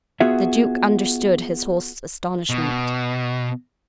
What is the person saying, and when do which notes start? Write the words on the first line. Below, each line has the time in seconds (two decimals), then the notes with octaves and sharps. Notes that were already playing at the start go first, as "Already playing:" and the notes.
The duke understood his host's astonishment.
0.20 B3 F4 F#4 G#4 E5
2.50 B2